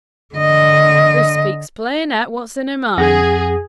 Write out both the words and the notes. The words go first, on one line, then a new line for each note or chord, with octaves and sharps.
'Hoo speaks plain out what's in her mind.
D3 D#5
F2 G#4 F#5 A#6